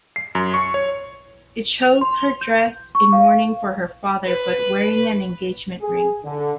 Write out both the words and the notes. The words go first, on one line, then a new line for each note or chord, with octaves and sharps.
It shows her dressed in mourning for her father but wearing an engagement ring.
C7
F#2
C#6
C#5
F7
C6
G6
C#6
F5
B4
G#4
D3